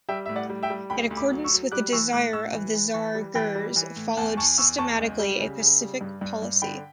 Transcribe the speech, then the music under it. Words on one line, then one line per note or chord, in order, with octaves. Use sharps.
In accordance with the desire of the tsar Girs followed systematically a pacific policy.
G3 E5 G5
A2 E5
D5 F#5
G3
E5 G5
G3
D2 G5 B5
D2
B5 D6
F#3
C#6 E6
F#3
G3 D6 F#6
E3 C#6 E6
A2 D6 F#6
A2 C#6 E6
E3
E3
E3 A5 C#6
G3
E3 G5 B5
G3
E3
A2
E2 F#5 A5
E2 A5 C#6
E2 C#6 E6
E2 A5 C#6
C#2
G3
C#3
C#3
G3
G2
G2
G2
D3 G5 B5